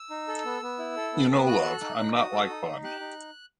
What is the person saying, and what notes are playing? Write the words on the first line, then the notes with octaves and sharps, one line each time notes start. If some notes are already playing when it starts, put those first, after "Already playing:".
You know, love, I’m not like Bonnie.
Already playing: E6
D#4
A4
B3
B3
E4
A4
B3
B3
F#4 F#6
A4 F#6
D#4
D#4
F#4 D#6
A4
D#4
D#4
G4 F#6
D#4